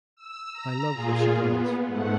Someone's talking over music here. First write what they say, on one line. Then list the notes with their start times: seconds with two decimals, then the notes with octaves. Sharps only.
I love what she does.
0.16 E6
0.52 A#5
0.94 A#2 F4 G#4
1.37 B3
1.87 G#2 A3 F#5